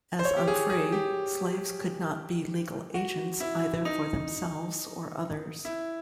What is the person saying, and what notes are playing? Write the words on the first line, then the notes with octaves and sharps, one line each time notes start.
As unfree, slaves could not be legal agents either for themselves or others.
C5
C#5
G4
G#4
G#4
G4
F#4
E4
D#4
E4